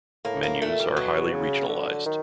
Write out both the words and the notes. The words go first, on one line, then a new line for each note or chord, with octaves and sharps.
Menus are highly regionalized.
A2 A#3
A#3
A#2 A3
G3
B2 F#3
C#3
D3
D#3